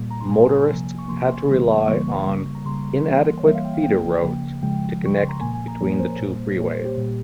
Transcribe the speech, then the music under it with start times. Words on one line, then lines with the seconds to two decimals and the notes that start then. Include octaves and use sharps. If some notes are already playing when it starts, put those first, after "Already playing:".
Motorists had to rely on inadequate feeder roads to connect between the two freeways.
Already playing: A#2 G3 A#3
0.11 A#5
0.20 C6
0.29 A#2 G3 A#3 G#5
0.69 C3 F3 A#3
0.98 C#6
1.08 C3 F3 A#3 C6
1.47 C#3 E3 G3 A#3
1.87 C#3 E3 G3 A#3 C#6
2.27 C#3 G3 A#3
2.55 A#5
2.65 C#3 G3 A#3 C6
3.05 E3 G3 A#3
3.39 C#5
3.45 E3 G3 A#3 E5
3.55 F5
3.65 G5
3.74 F5
3.83 C#3 F3 A#3 G5
4.23 C#3 F3 A#3
4.63 C#3 F3 G#3 G5
5.02 C#3 F3 G#3 C#6
5.17 C6
5.29 A#5
5.41 A#2 F3 A#3 G#5
5.55 G#5
5.68 A#5
5.80 A#2 F3 A#3 C#5
5.90 A#4
5.99 C5
6.20 A#2 G3 A#3
6.58 A#2 G3 A#3 C#5
6.72 C5
6.85 G4
6.98 A#2 G3 A#3